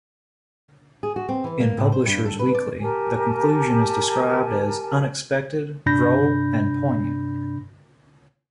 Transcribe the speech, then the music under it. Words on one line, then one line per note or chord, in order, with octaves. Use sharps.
In "Publishers Weekly", the conclusion is described as "unexpected, droll, and poignant".
G#4
F#4
C4
E3
A#3
A2
C5
G2
A4
B4
D5
G4 A#4 G#5 A5
G2 C3 D4 B5 G6 A#6